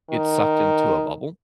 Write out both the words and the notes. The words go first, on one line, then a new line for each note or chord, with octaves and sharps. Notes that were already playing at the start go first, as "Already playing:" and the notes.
get sucked into a bubble.
D#3